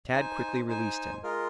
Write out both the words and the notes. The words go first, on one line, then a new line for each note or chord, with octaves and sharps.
Tad quickly released him.
D#4 C5 G#5
D#4 C5 G#5
G#3 F4 A#4